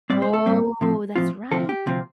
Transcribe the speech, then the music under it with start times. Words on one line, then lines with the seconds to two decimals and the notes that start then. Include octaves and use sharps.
Oh, that's right.
0.10 A2 G3 C4 D5
0.22 C5
0.34 A4
0.46 A2 G3 C4
0.81 A2 F3 C4
1.16 A2 F3 C4 F4
1.51 D2 C3 F3 C4 A4
1.69 G4
1.86 D2 C3 F3 C4